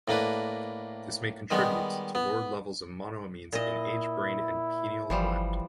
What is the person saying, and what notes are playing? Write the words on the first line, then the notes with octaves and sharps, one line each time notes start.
This may contribute to lowered levels of monoamines in aged brain and pineal gland.
A2 A#3 D4 B4
D#3 G3 G#3 B3
B3
A#2 E4 D#5
G1 E3 F3 G3